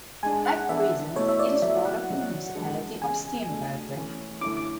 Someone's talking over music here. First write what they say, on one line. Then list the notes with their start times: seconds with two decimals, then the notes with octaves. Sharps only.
At present it is part of the municipality of Steenbergen.
0.23 G#2 G#3 D4 G#5
0.46 F#5
0.69 E3 B3 D4 A4 E5
1.15 B2 A3 E4 A4 C#5
1.28 E5
1.39 D5
1.62 B2 F#3 B3 E4 A4 E5
1.85 F#5
2.09 B2 F#3 C#4
2.55 G#2 E3 G#3 D4 G#4
3.02 E2 C#3 G#3 G#5
3.48 B2 A3 D4
3.94 E3 A3 C#4
4.41 F#2 D3 A3 C#4 E4 D6
4.57 D6